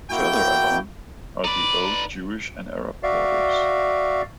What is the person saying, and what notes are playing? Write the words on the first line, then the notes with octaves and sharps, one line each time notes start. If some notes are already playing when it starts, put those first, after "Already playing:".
Further along are the old Jewish and Arab quarters.
A#3 E4 F#4 G5
D#4 B4 D5
F#4 D5 E5 F5